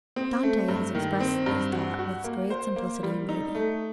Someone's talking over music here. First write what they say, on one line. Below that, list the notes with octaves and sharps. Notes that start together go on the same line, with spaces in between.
Dante has expressed this thought with great simplicity and beauty.
C4
A3
G2
D#3
C4
G2
F#4
F#4
A#3
C5
A#3
G3
D#4
A3